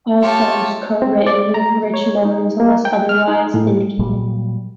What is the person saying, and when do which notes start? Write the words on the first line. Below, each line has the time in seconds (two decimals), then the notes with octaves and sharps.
All songs co-written with Rich Mullins unless otherwise indicated.
0.22 A3 F4 G4 A4 C#5
1.02 C4
1.26 D5
1.54 A#5
1.94 C#5
2.25 D#4
2.60 A#3
2.85 G5
3.09 F6
3.28 D#4
3.54 A2
3.99 A#2 F#3 G3